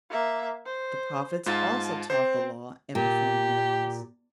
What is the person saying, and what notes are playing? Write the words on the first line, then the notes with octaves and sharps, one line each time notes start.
The prophets also taught the Law and performed miracles.
A#3 E5
C5
G#2 F4 A5 A6
C4 C5
A#2 G4